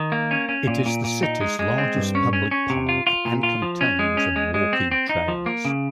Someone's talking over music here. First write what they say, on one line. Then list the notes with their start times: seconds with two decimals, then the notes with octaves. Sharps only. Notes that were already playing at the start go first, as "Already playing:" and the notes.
It is the city's largest public park and contains of walking trails.
Already playing: D#3
0.12 A#3
0.31 C#4
0.49 C#4
0.67 A#2
0.86 A#2
1.04 A#2
1.23 D#4
1.41 G#3
1.59 G#3
1.78 C4
1.96 G2
2.15 C#4
2.33 C#4
2.51 C#4
2.70 C3
2.89 F4
3.07 F4
3.25 A#2
3.43 F4
3.62 F3
3.81 C#4
3.99 G#3
4.17 C#4
4.36 G#3
4.54 G#3
4.73 C4
4.91 C4
5.09 D#4
5.28 F3
5.46 A#3
5.65 C#3